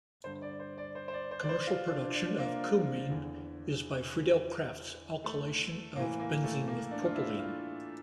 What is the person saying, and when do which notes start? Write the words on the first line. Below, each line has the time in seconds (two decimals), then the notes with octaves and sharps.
Commercial production of cumene is by Friedel-Crafts alkylation of benzene with propylene.
0.24 G2 D3 C5
0.42 D5
0.59 C5
0.78 D5
0.95 C5
1.08 C5
1.13 D5
1.31 C5
1.43 D5
1.49 C5
1.67 F4
1.90 D4
2.15 D4
2.38 A#3
3.10 E2 D3
5.24 A3
5.96 A2 E3 A#3
6.20 A#3
6.44 A3
6.68 A#3
6.91 D4
7.05 F4
7.15 E4
7.39 F4